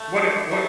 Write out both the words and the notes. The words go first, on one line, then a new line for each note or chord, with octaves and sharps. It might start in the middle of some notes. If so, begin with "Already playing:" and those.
what it what
Already playing: A3
D3
A3